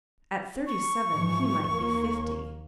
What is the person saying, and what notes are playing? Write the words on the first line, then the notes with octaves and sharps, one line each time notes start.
At thirty-seven he might be fifty.
C#6
G#2 E3 F3
D#2 A#3